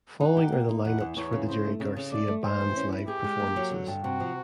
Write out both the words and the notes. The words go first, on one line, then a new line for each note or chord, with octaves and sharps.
Following are the lineups for the Jerry Garcia Band's live performances.
D#4 F#5
G4
A#3
D#4
E2 F#5
E2
E2 C#5
C#3
C#3 C5
A3
C#3
C#3
A3 D5
A3
A3 C5
E3
C#4
E4
G4 G#4
G#3
A#3
F#3
D3
G2
C3 F#4
F3